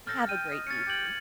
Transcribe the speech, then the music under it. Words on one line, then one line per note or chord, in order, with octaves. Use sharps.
Have a great evening.
A4 F6 G6 A#6
G5 F6 D#7
D#5
C#4 A6 C#7
G4 G#6 F#7